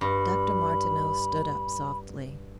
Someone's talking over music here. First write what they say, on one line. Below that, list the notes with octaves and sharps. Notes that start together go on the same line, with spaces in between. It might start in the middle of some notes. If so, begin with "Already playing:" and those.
Dr. Martineau stood up softly.
G2 B5